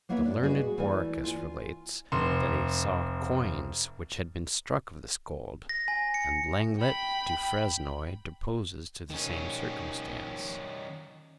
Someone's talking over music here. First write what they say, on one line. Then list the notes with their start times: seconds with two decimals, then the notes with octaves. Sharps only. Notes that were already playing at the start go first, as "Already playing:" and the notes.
The learned Borrichius relates, that he saw coins which had been struck of this gold; and Lenglet du Fresnoy deposes to the same circumstance.
0.09 F#3 A#3 B3 C#5 D#5 E5
0.25 F#2 A#3 D4
0.43 F#4 G#4 B4 D#5 G#5
0.78 E3 A3 A#4 D5 G#5
1.24 F4 G#5
2.12 F1 C6
5.69 A#6
5.88 G#5
6.14 C#7
6.79 G5 B5
9.10 D#3 C#4